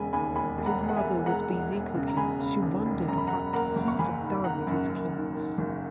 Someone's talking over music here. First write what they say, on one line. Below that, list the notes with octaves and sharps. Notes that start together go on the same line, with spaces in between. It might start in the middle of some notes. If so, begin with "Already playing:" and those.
His mother was busy cooking; she wondered what he had done with his clothes.
Already playing: E1 C#3 G#3 G#5 B5
D#2 G#5 B5
E1 G#5 B5
E1
F#5 A#5
G#3
F#5
E5 G#5
E1
G#3 F#5 A#5
E1
E1
C#3
A#5
G#3 G#5 B5
C#3
D#2
E1
F#2 A#5
B5
F#5 A#5
F#2
A#3 F#5 A#5
F#1
C#6
F#1 G#5 B5
D#3
D#3 F#5 A#5
F#2
F#2
D#3
D#3
F#1